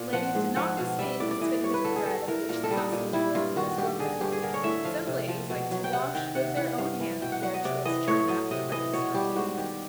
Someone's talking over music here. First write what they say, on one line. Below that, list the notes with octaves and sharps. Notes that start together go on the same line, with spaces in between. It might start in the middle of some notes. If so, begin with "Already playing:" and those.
Ladies did not disdain to spin the thread of which the household linen was woven. Some ladies liked to wash with their own hands their choice china after breakfast or tea.
Already playing: A#2
F3 F#5
G#2
F3 F#5
B2 F5
G3 E5
A2 D5
D5
E3 D#5
D5
G2 C#5
B4
D3 A4
G#4
G2 A4
E3 A#4
A#2 A#4
A4
G3
D#4
A#2 D#4
G3 E4
G2 F4
D#3 F#4
G2 G4
D3 G#4
G2 G4
G#4
D3 A#4
C#5
A2 E5
F3 F5
C3
F3
B2
F#3
G5
C3 F#5
D#3 G5
C3 F#5
E3 F#5
F#5
G2 F5
E3
B2 G5
F#5
F#3 F#5
D#5
C3 D5
E3 D#5
A2 C#5
F#3 D#5
C3 D#5
E3 D#5
B2 C#5
G3 G4
G#2 F#4
D#3 G4